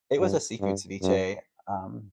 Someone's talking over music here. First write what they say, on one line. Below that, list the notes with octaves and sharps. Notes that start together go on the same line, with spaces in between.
it was a seafood ceviche. Um,
G2
G2
F#2